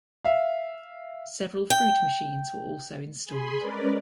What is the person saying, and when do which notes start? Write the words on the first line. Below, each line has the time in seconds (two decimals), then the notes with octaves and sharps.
Several fruit machines were also installed.
0.25 E5 F5
1.70 G5
3.25 G#4 G#5 B5 C6
3.59 G#3 C#4 A#4 B4 D5